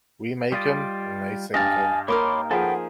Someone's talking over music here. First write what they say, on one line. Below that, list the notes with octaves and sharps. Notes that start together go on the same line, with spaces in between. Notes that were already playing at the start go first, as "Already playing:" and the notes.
"We make'em and they sink'em".
G3 F4 D5 D#5
G2 D#5 F5 G#5 A5
A#3 D#4 A#4 C#5 B5 C6 D6
F3 G#4 A4 B4 F#5 G5